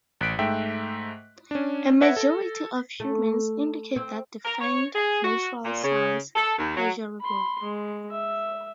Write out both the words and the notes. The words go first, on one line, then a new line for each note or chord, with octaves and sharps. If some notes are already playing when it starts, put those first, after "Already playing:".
A majority of humans indicate that they find natural sounds pleasurable.
A1 F#6 B6 D7
G#2 A3 E5 G5
C#4 D4
B4 C#5 E5 F#5 G#6 A#6
A4
A3
C4
A#4
C#5
G#4
F#4
A#2
C#3
A4
D#2
F#3
B5 C6
G#3
E5